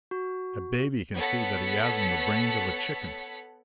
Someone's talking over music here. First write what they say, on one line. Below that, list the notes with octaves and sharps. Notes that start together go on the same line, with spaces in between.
A baby can see that he hasn't the brains of a chicken.
F#4
B3 A4 C#5 F#5 B6 C#7